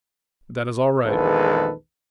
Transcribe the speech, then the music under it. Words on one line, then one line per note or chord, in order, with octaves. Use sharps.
"That is all right."
A#1 E2 D#3 G#3 A4 B4